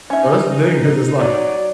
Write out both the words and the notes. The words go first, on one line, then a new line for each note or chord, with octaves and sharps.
well, that's the thing 'cause it's, like
C#4 D#4 E5
F#3 D5